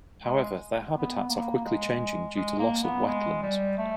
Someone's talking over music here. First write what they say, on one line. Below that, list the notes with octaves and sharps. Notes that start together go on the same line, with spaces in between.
However, their habitats are quickly changing due to loss of wetlands.
G#3
B3
A#3
G#3
G#3
A#3
B3
G#3
G3
A3